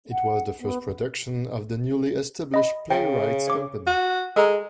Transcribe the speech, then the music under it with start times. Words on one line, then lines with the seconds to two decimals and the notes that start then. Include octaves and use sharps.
It was the first production of the newly established Playwrights' Company.
0.12 F#5
0.60 B3
2.54 D#5 B5
2.90 C#3 G5
3.48 C#5 D6
3.87 F#4
4.36 G#3 A4 A#5